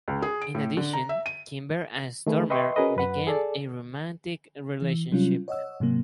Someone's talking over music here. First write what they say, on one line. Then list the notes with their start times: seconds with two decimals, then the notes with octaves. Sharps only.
In addition, Kimber and Stormer begin a romantic relationship.
0.08 C#2
0.22 G#4
0.42 D7
0.55 A2
0.77 D3
0.93 A#5
1.09 E5
1.26 D#7
2.27 D#3 A3 G#4 B4
2.50 B4 D#5 E5 G5 C6 C#6
2.76 C#4 F#4 G#4 A#4 B4 D#5
2.96 F#2 B4 F#5
3.27 G#4 A4 D5
4.82 E3
5.12 C3 F#3 G3 C#4 F4
5.48 C#5 D#5 F#5 E6
5.80 G#2 C3 F#3 A#3